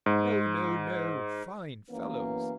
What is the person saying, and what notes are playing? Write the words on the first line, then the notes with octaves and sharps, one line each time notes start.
No, no, no! Fine fellows!
G#2
F#2 E3 A#3 B3 C#4